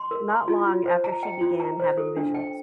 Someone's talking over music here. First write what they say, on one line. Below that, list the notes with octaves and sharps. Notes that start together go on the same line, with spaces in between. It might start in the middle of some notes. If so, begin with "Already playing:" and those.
Not long after she began having visions.
Already playing: C6
A#4
C6
F4
F4
C5
A#5
G5
F4
A#5
C5
A4
D4
G5